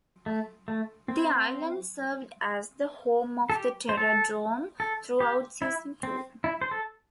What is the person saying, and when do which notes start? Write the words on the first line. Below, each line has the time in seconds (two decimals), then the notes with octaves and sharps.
The island served as the home of the Terror Drome throughout season two.
0.26 A3
0.68 A3
1.08 C4
3.50 A4
3.55 G4
3.89 C5
3.97 A4
4.80 A4
5.20 G4
5.62 E4
6.03 C4
6.44 E4
6.62 C5
6.71 A4